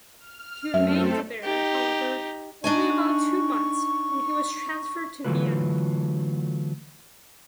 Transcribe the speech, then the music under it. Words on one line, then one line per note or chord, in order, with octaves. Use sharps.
He remained there, however, only about two months, when he was transferred to Vienna.
F6
F#2 A3 C4 A4 E5
D#4 G4
D4 D#4 G#5 C#6
D3 E3 F#3 A3 F4 B4